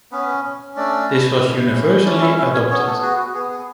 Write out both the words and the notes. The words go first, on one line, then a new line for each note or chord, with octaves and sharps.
This was universally adopted.
B3 C#4 B4
C#4
A3 D4 D5
E4
E4
C#4
C#4 D4 D5
E4 E5
C#4 E4 E5
C#4 C#5
B3 C#4 C#5
A3 A4
F#4 G#4
F#4
B3 G#4
G#4